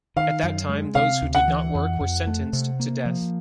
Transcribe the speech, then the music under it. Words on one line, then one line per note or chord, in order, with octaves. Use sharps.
At that time, those who did not work were sentenced to death.
D#3 F5
F#2
G#3
C3 F5
D2
F#5
E3
F2
F2
A3
C3
A#3
F3